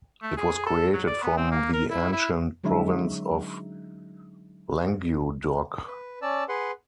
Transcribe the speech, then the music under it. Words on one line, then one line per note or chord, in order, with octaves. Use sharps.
It was created from the ancient province of Languedoc.
A3
G#4
A4
F#3
D5
B3
C4
A#3
A#4
E4
E4
D3 F#3 G#3 C#4 D#4 E5
B4
C#4 D5 A5 E6
G#4 B4 F#5 C6